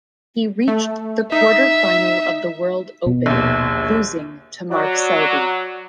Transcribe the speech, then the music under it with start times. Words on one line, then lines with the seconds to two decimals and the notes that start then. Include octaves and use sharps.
He reached the quarter-final of the World Open, losing to Mark Selby.
0.68 A3
1.32 D#4 E5
3.06 B2
3.26 A#1 D#2
4.71 F#3 F#4 D5